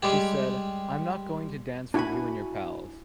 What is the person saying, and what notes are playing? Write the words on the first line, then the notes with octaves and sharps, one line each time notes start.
She said: 'I'm not going to dance for you and your pals.
G3 G#3 G4
D4 E4 F#4 G5 G#5 B5